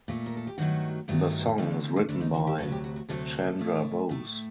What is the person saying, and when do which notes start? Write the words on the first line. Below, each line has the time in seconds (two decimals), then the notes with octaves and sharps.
The song is written by Chandrabose.
0.08 A#2 A3
0.26 A#4
0.37 A4
0.47 G4
0.58 G2 D#3 F#3 A3 F#4
1.08 G2 D#3 F#3 A3
1.58 D2 D3 A3 D#4
1.71 D4
1.84 C4
1.96 A3
2.09 D2 D3 A3 D4
2.21 D#4
2.34 F#4
2.47 G4
2.58 D2 C3 F#3 A3 A4
2.72 G4
2.84 F#4
2.96 F#4
3.09 D2 C3 F#3 A3 A4
3.59 A2 A3
4.09 A2 A3